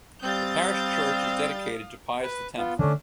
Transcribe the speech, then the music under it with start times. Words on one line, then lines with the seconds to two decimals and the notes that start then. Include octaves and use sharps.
The Parish Church is dedicated to Pius the Tenth.
0.23 G3 C4 F5 D#6 G6 A6
2.22 B4
2.58 B3 F4
2.79 D3 D#3 A3 C#4 D4